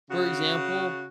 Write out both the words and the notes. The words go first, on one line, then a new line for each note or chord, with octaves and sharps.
for example,
C#3 F#4